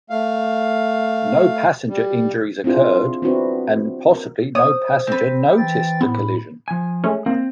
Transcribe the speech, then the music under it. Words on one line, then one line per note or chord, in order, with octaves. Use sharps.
No passenger injuries occurred, and possibly no passenger noticed the collision.
A3 F5
G3
C4 D4 E4 F4 G#4
B3 C4 D4 E4 F#4 B4
A#4
C5 C#5 D#6
C4 B4
E3 G5 A6
A2 B3 B5
F3 G#5
G#3 A3 C#4
A#3 C4